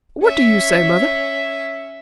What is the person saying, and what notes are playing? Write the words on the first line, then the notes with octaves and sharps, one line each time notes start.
"What do you say, mother?"
C#4 E5